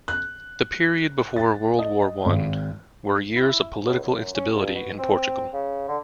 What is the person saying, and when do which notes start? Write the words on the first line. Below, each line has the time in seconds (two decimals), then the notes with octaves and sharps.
The period before World War One, were years of political instability in Portugal.
0.08 F#6
1.36 A6
1.79 D#5
2.26 G#1
3.36 E4
3.86 C#2
4.03 F#2
4.34 C#4
4.54 G2
4.75 B2
4.99 C4
5.53 C#3
5.88 D3